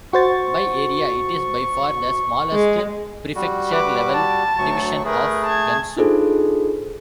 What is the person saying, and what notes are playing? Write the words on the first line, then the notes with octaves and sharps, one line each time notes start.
By area, it is by far the smallest prefecture-level division of Gansu.
F#4 C5 C#6 A6
G#3
G3 F#4
B4 D6
A5
D2 F#3 C#6
A3 G#4 A#4 B4
A5 G#6
D4 D#4 F4 G#4 A4 C5